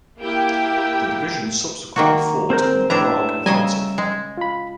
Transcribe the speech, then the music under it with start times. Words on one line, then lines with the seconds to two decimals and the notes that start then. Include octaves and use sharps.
The division subsequently fought in the Prague Offensive.
0.20 A#3 E4 G4 G5
1.96 D#3 A#3 F#4
2.50 C4 G#4 A#4 C5 G6
2.90 A2 D4 B4 E5 A#5
3.46 C#3 G3 D#5 G#5 A#5
3.98 G#3
4.37 F4 B5